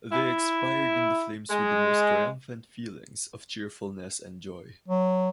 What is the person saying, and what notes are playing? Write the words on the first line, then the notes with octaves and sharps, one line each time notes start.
They expired in the flames with the most triumphant feelings of cheerfulness and joy.
E4
G#3
F#3